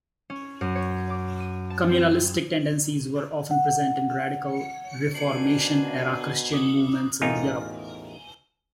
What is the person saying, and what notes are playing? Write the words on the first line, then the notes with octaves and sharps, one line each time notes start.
Communalistic tendencies were often present in radical Reformation-era Christian movements in Europe.
C#4
F#2
C#5
D6
D#7
A5
C4
E6
F#5
B2 D4 A#4 C5 G#5 C7 F#7
D6 D#6
A1 E2 D#4 F4 A#4 G#5